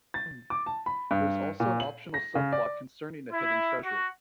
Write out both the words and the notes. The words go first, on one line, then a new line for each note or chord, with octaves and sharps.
There is also an optional subplot concerning a hidden treasure.
A6
D6
A5
B5
G2
A#2
F#7
A#6
C#3
D5
E4
F#4